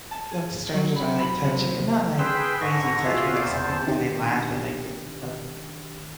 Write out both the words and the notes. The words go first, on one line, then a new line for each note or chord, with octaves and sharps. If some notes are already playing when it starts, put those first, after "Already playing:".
some strangers are like touchy and not, like, crazy touch, but like some people when they laugh, they like to h uh, like,
A5
G#4
F#3
B5
B5
C3
G#4 B4 G5 B5 C6 E6
G#2 D3 C#6 A#6
F4 F#4 G#4 D5 E5 F5
E2 C5 A5
D#3 D4 G4